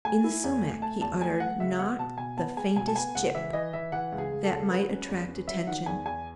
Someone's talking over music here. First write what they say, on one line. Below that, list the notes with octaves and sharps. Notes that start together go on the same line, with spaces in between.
In the sumac he uttered not the faintest "Chip!" that might attract attention.
A3 G#5
E4
E2
A3
A3 A5
E2 A5
A3 G#5
A3 F#5
C#2 E5
B3 F#5
B2 A5
B2 G#5
B3 A5
G#3 G#5
B2 G#5
A5
B3 G#5
C#2 F#5
E3 E5
E3 D#5
E3 E5
E3 F#5
C#2
G#4
C#2
A4
C#3
F#3 B4
C#4
E2
C#4
F#3 E5
D#3 F#5
E2 G#5
E2 G#5